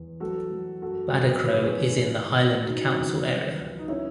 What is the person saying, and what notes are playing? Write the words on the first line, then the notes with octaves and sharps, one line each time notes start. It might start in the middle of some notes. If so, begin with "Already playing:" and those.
Badachro is in the Highland council area.
Already playing: E2
F#3 F#4 A4
F#3
F#2 F#4 A4
F#2
G#2 B4
C#5
G#4 B4
G#2
E3
E3
C#3 D#4 F#4
E2
F#3
C#2
D#4
C#3 C#4 E4